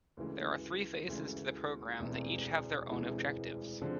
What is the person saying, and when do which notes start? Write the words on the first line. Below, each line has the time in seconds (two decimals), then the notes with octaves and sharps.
There are three phases to the program that each have their own objectives.
0.17 D2 C#3 E3 G#3
1.08 D2 C#3 E3 G#3
1.99 E1 D2 C3 E3 G#3
2.90 E1 D2 C3 E3 G#3
3.82 D3 F3 G#3 C4